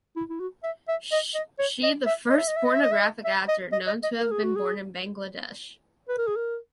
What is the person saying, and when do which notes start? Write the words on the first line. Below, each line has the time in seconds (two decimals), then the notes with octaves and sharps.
She the first pornographic actor known to have been born in Bangladesh.
0.16 E4
0.30 E4
0.40 F#4
0.64 E5
0.89 E5
1.12 D#5
1.35 D#5
1.59 C#5
1.83 D#5
2.06 E5
2.30 D#5
2.38 E5
2.48 D#5
2.57 E5
2.65 D#5
2.74 E5
2.83 D#5
2.92 E5
3.00 D#5
3.25 E5
3.49 D#5
3.73 D#5
3.87 D#5
4.04 D#5
4.19 A#4
4.32 G#4
4.44 F#4
4.56 G#4
6.09 B4
6.18 A#4
6.27 G#4
6.36 A#4